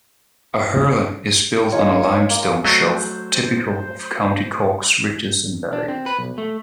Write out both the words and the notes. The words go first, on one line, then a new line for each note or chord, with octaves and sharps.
Aherla is built on a limestone shelf typical of County Cork's ridges and valleys.
G#3 D#4 F4 C#5
A#3
F#3 A3 C5 D#5
D4
C4
B4
B1
A3